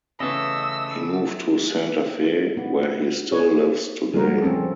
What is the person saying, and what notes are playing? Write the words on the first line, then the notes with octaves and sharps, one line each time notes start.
He moved to Santa Fe where he still lives today.
C#3 E3 A3 B3 C#4 D#5 E6
B3
G#4 B4 C#5
F3 G3 G#3 B3 A#4
F3 C4 C#4 A4